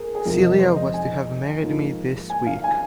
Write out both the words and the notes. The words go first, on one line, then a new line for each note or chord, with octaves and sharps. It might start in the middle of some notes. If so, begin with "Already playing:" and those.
Celia was to have married me this week.
Already playing: G#4 A#4
G#4
F2 C3 F3 G#3 C4 A#4
D#5
C5
D#5
G#5
G#2 F3 A#3
G#5
F5
G#5